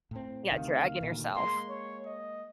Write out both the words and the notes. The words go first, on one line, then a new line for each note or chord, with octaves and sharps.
Yeah, dragging yourself.
A2 C4
D2 C3 D#3 F5
D2 A#2 D#3
G#3 A#3 C6
C#5
D#5